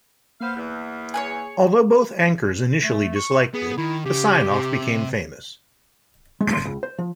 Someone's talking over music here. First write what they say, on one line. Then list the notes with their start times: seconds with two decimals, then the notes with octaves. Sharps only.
Although both anchors initially disliked it, the sign-off became famous.
0.40 A#3 B3 C5 F5
0.56 E2
1.14 G#4 B4 C#5
2.83 A3
3.16 C#6
3.54 B3 G#4
3.78 D#3 E4
4.06 C#3 G4
4.51 C3
6.41 G#3
6.53 C6
6.65 C#2
6.83 C5
6.98 F3